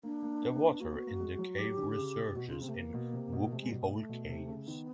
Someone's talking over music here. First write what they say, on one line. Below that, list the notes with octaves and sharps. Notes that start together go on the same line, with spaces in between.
The water in the cave resurges in Wookey Hole Caves.
A#3 D4
A#3
B3
A#3
B3
A#3 F#4
B3
A#3
G#3
F#3
F#3 G4
D3
C#3
C3
B2 F#4
C#3 F4
C3 C4
A3
A#3
B2
C3
B2
C3 A3
G#3
B2 G3
G#3
A3
B2
C3
C#3
D#3 B3